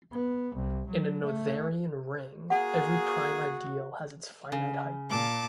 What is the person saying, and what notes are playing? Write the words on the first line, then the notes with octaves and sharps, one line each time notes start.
In a Noetherian ring, every prime ideal has finite height.
B3
C2
F#3
A3
A#3 F#4 G#4 F#5
C#3
A#2 A5 D6